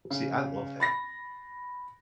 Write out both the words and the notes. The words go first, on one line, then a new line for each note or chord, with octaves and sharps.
See, I love that.
C#3
B5 A6 A#6